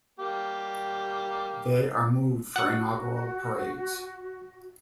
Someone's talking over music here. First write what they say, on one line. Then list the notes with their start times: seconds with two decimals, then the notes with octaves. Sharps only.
They are moved for inaugural parades.
0.19 G3 A#3 G4
2.56 F#4 F#5